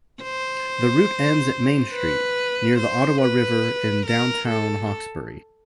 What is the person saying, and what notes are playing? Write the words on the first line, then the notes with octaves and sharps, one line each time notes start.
The route ends at Main Street, near the Ottawa River in downtown Hawkesbury.
C5
B4
C5
B4
A#4
A4